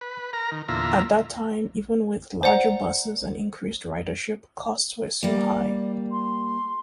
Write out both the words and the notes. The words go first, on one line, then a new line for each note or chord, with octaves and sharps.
At that time, even with larger buses and increased ridership, costs were still high.
B4
A#4 A#5
D#3
E2 A#2 D3 F4 E5 A#5
C5 D5 F#5 A#5
G3 A#3 D5
C6